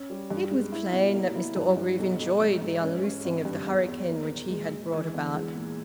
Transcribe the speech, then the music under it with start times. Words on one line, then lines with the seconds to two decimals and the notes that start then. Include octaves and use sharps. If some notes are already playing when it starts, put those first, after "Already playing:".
It was plain that Mr Orgreave enjoyed the unloosing of the hurricane which he had brought about.
Already playing: C#4
0.10 G3
0.30 G2
0.51 G#3
0.72 E4
0.93 B2
1.14 A#3
1.35 E4
1.56 G2
1.77 G2
1.99 B1
2.19 B1
2.41 G#2
2.61 G#2
2.82 C#4
3.04 C#4
3.25 G#1
3.45 G2
3.67 E2
3.88 E2
4.09 A#3
4.30 A#2
4.50 G#3
4.71 G#3
4.92 E3
5.14 E2
5.34 G#3
5.55 A#2